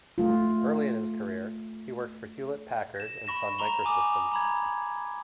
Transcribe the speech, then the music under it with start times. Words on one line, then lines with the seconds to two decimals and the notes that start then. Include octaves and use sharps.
Early in his career, he worked for Hewlett-Packard and Sun Microsystems.
0.18 A3 F4
2.96 A#6 E7
3.27 B5 C#6 A#6 E7
3.59 A#5 C#6 F7 G7
3.85 G#5 D6 D#6
4.32 A#5 B5 G#6